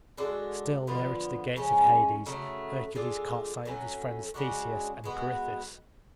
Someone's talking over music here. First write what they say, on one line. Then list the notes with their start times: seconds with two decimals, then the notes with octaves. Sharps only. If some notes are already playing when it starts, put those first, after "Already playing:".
Still nearer to the gates of Hades Hercules caught sight of his friends Theseus and Pirithous.
0.17 G#3 D4 F#4 A4
0.87 D3 F3 B3 F4
1.56 C#3 F3 G#3 C#4
2.26 C#3 F#3 A3
2.95 G#3 D4 F4 A4
3.65 A2 F#3 C#4
4.34 C#3 G#3 D4 F#4
5.04 G#3 B3 F#4